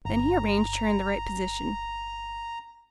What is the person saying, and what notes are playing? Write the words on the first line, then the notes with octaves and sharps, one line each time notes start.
Then he arranged her in the right position.
G1 A#5